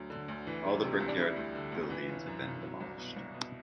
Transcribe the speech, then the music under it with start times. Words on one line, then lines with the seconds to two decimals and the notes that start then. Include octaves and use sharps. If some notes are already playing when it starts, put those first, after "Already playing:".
All the brickyard buildings have been demolished.
Already playing: D2 F#3
0.10 D3
0.28 D2
0.47 E3
0.65 G3
0.83 C3
1.00 C2
1.08 D4
1.18 G3 E4
1.36 D2
1.55 D3
1.72 D2
1.90 E3
2.08 G1
2.26 F#2
2.45 G1
2.62 F#3
2.80 C2
2.98 B2
3.17 C2
3.34 B2